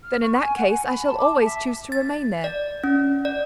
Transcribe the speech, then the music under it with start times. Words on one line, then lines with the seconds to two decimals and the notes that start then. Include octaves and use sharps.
"Then in that case I shall always choose to remain there."
0.03 F6
0.22 C#6
0.41 G#5
0.56 F#5
0.71 G#5
0.87 B5
1.05 A5
1.18 D6
1.32 A5
1.44 E5
1.92 A6
2.44 D5
2.84 C#4
3.25 D5